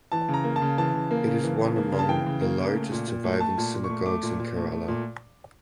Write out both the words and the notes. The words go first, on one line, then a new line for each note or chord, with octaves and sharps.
It is one among the largest surviving synagogues in Kerala.
E3 A5
C#3
A#5
A#3
A5
C#3
E3 A5
C#3
A#3
C#3
E3
C#3
A#3
C#3
A5
E3 G5
C#3
A#3
C#3
A3
A#2
A#2
A3
A3 A5
A#2
A#2
C#6
A3
A3 D6
A#2
A#2
A3
A3
A#2